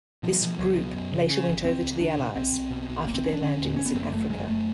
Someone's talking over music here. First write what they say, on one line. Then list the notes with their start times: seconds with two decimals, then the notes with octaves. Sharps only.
This "groupe" later went over to the Allies after their landings in Africa.
0.23 B2 F3
0.33 F#3
0.42 B2 F3
0.58 C#2 F#3
0.77 B2
0.94 F#2
1.12 C#3
1.30 C#3
1.48 G1
1.64 C#2 C4
1.82 C#2
2.00 C#2 D4
2.18 B2
2.36 B1 C4
2.53 B1
2.70 B2
2.89 B1
3.06 F1 A#3
3.15 C4
3.24 F1 C#4
3.33 D4
3.41 D3 C#4
3.60 D#2
3.76 G1 C#4
3.86 B3
3.95 F#2 C4
4.03 A#3
4.12 G1 A3
4.30 F#2 G#3
4.48 F1 A3